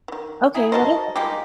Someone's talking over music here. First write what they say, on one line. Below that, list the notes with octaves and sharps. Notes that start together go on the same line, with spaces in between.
Okay, what is it?
D#3 E3
F#3 D#4 E4 G#4
D#4 F#4 A#4 C5 D#5 A5
G3 G#3 A#3 D#4 F4 G4